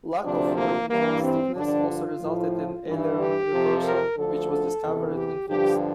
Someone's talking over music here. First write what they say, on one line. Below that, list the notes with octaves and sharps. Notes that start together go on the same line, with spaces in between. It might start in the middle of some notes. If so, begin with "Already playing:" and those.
Lack of wing stiffness also resulted in aileron reversal which was discovered and fixed.
D2 C3 F3 D4
A#3
G2 E3 A#3
C4
G2 D3 F3 D4
F4
A2 F3
G2 E3
G4
F2 C3 F3
A#4
D2 D3 F3 A4
E2 C3 E3
G4
G2 D3 F3 G4